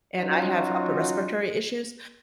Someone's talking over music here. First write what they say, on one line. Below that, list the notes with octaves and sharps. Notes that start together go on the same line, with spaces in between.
and I have upper respiratory issues,
F#3 C#4 D#4 F4 F#4